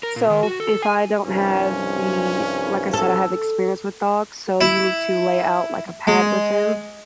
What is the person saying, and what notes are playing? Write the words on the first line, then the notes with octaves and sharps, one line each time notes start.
So, if if I don't have the like I said, I have experience with dogs, so you need to lay out, like, a pad with him,
A#4
A#2
D#3
F#4
A4
G#5
C2 G2 F3 C#4
A4
E4
G#3